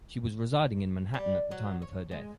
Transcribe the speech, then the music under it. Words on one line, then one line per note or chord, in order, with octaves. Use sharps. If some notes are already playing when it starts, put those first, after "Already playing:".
She was residing in Manhattan at the time of her death.
G3
F#3
C#5
G#3